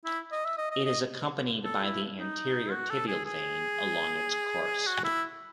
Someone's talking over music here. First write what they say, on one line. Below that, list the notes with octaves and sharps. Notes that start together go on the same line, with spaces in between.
It is accompanied by the anterior tibial vein, along its course.
E4
D#5
E5
D#5
D#5
D#5
A4
E4
D#4
F#4
A4
G#4
G#4
F#4
E4